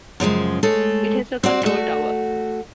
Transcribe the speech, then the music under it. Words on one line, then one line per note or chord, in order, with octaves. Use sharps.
It has a control tower.
F#2 C#3 F3 G#3
G#3 A3 A4 C#5
C4 F#4 D5
A3 F#4